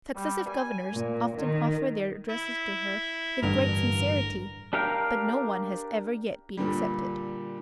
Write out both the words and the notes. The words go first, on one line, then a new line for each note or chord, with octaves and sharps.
Successive governors often offer their addresses to her with great sincerity, but no one has ever yet been accepted.
G3
G#5
A#2
D#3
E4
A1 G2 D3 A#4
D4 G4 A#4 F5 G5
A#2 D3 G3